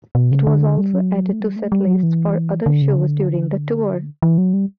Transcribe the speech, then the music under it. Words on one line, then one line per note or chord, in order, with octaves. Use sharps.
It was also added to setlists for other shows during the tour.
B2
C#3
D3
G3
F#3
A3
G3
A3
G3
F#3
E3
D3
C#3
D3
E3
F#3
G3